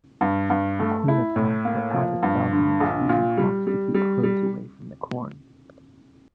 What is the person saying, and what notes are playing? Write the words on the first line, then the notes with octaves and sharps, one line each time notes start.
The Quinnipiac were avid falconers, using hawks to keep crows away from the corn.
G2
G2
A3
E4
A2
A#3
F3
G2
D3
A#1
A#2
G3
G3
G3
G3